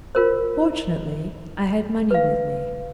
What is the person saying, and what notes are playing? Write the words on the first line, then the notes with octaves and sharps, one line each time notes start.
Fortunately I had money with me.
F4 A#4 C5
B4 F5